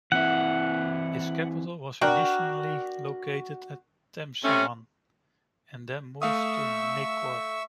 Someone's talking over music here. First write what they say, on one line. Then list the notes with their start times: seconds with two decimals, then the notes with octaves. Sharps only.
Its capital was initially located at Temsaman, and then moved to Nekor.
0.12 E3 C4 E4 F#5
2.01 D4 F#4 A#4 G5
4.44 C3 A3 C#4
6.22 A3 E5 F5 C#6 D#6 E6